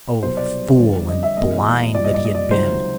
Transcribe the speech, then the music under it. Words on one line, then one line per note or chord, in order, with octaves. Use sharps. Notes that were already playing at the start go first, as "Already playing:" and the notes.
Oh, fool and blind that he had been!
C2 B2 F#3 C5
D5
F2 D3 G3
D#5
E5
E2 B2 G#3 D#5
C2 A#2 G3 D5
D#5
D5
D#5
D5
C#2 C3 D#3 F#3 C5